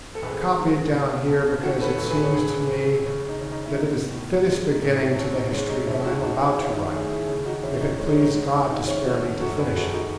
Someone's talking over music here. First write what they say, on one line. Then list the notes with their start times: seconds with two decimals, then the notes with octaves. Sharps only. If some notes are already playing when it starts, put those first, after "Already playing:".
I copy it down here because it seems to me that it is the fittest beginning to the history that I am about to write, if it please God to spare me to finish it.
0.15 A4
0.22 G#1 G#4 B4
0.58 G#2
0.93 B2
1.28 B1
1.63 D#3 F#4 A4
1.81 B4
1.87 A4 C#5
1.98 A1
2.10 G#4 B4
2.23 C#5
2.34 C#3 G#4 B4
2.69 C#3
3.05 C#3
3.29 D#4
3.41 C#3
3.52 D#4
3.66 E4
3.75 B3 D#4
4.10 A2
4.46 G#3
4.70 D#4
4.82 A1
4.94 C#4 E4
5.16 B2 C#4
5.34 D#4
5.52 G#3 C#4
5.69 D#4
5.87 B1 C#4 E4
6.05 D#4 F#4
6.22 B1 D#4 F#4
6.40 G#4 B4
6.58 D#3 C#4 E4
6.75 D#4
6.93 A3 E4 G#4
7.10 E4 G#4
7.29 C#3
7.46 D#4 F#4
7.63 E2 C#4 E4
7.81 D#4
7.99 G#3 C#4
8.07 D#4
8.15 C#4
8.23 D#4
8.35 G#3
8.46 C#4
8.70 D#3 D#4
8.87 C#4 E4
9.05 A3 D#4 F#4
9.40 F#2 F#4 A4
9.58 G#4 B4
9.76 F#2 F#4 A4
9.94 D#4 F#4